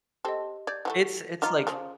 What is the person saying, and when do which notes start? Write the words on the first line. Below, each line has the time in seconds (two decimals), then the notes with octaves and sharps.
It's it's, like,
0.25 C4 G4 A4 D#5
0.67 D5 G6 G#6
0.85 E3 F3 A3 F#5
1.42 F3 D#4 F4 A#5 D6 F6
1.67 C#3 F3 F5